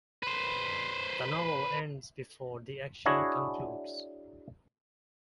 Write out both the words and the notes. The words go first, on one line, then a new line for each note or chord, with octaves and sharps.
The novel ends before the action concludes.
B4 C5
D4 E4 F#4 G#4 C#5 D#5